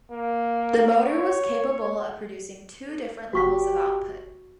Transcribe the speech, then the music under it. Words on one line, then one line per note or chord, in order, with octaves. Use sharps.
The motor was capable of producing two different levels of output.
A#3
C#5
F#1 F#4 G4 C#6 B6